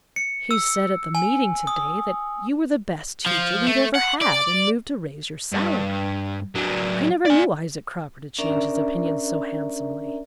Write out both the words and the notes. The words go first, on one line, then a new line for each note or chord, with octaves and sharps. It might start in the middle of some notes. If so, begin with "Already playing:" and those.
"He said at the meeting today that you were the best teacher we had ever had and moved to raise your salary. I never knew Isaac Cropper to change his opinions so handsomely."
C#7
E6
G#5
D#6
F3
A3
F#5
D5
G2
F#3 D4
D5 G#5
C#4 D4 A#4 D5 E5 A#5